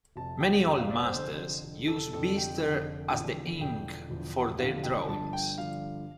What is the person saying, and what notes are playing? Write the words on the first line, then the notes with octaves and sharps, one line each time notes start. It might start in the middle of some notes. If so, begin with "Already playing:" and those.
Many Old Masters used bistre as the ink for their drawings.
F1 F2 C3 A5
G5
F1 F2 C3 G5
F5
D5
C5
F1 F2 D3 C5
F1 F2 D3
A4
F1 F2 D3 A4
G5
F1 F2 D3
E1 E2 D3 F3
E1 E2 D3 F3 G5
E1 E2 D3 F3
E1 E2 D3 F3 F5
G5
G1 G2 D3 F3 A5
G5
G1 G2 D3 F3 F5